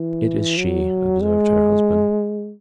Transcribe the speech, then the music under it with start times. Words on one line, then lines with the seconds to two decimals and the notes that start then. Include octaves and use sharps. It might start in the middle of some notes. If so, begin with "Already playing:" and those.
"It is she," observed her husband.
Already playing: E3
0.58 F#3
1.21 G#3